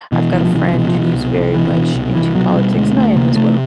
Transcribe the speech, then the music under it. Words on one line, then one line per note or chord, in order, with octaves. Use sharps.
I've got a friend who's very much into politics, and I am as well,
B2 E3
C2 E3
F3
C2 E3
F3
B2 E3
F3
B2
E3
C2
C2
B2 E3
B2
C2
C2 E3
B2 F#3
B2 G3
D2 G#3
D2 A3
C3 A#3
C3 A3